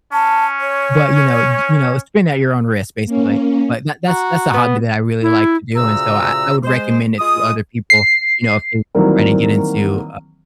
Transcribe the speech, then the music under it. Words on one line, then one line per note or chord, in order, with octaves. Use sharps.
but, you know you know, spin at your own risk, basically. But that that's that's a hobby that I really like to do, and so I I would recommend it to other people, you know, if they were trying to get into a
C#4 A5
C#5
A#3 C#4
F#4 A#5
B3
E4
D2 A#2 C#3 A#5 E6
G#3 C5
G#3 F4 D#6
C7
D#3 E3 F#3 G3 A#3 C4